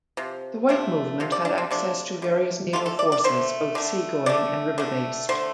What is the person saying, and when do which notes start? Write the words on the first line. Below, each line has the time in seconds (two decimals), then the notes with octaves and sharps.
The White movement had access to various naval forces, both sea-going and river-based.
0.17 C3 F3
0.69 C3 F3 A3
1.20 C3 F3
1.32 D5
1.45 D4
1.58 C4
1.71 C3 F3 A3 D4
2.22 D3 A3
2.73 D3 A3 F4
2.86 A4
2.99 D5
3.12 D5
3.24 D3 A3 C5
3.75 D3 A3
4.26 D3 A3 D5
4.78 D3 A3
5.29 D3 A3 C5